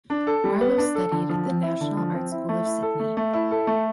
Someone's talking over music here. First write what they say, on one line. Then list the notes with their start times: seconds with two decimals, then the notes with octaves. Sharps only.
Marlow studied at the National Art School of Sydney.
0.10 D4
0.27 A4
0.44 G3
0.61 B3
0.78 D4
0.95 A4
1.11 D3
1.29 F3
1.46 C4
1.63 E4
1.81 D3
1.97 F3
2.14 C4
2.31 E4
2.49 A3
2.65 E4
2.83 A4
3.00 A3
3.17 A3
3.33 E4
3.51 A4
3.67 A3